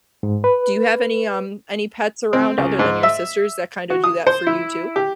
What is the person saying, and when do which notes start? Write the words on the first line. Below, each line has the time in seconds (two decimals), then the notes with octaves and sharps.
do you have any, um any pets around other than your sister's that kinda do that for you too?
0.23 G#2
0.44 B4
2.33 C4
2.58 C#2
2.79 G#2
3.03 E5
3.90 F#4
4.04 D#6
4.27 C5
4.47 E4
4.96 G4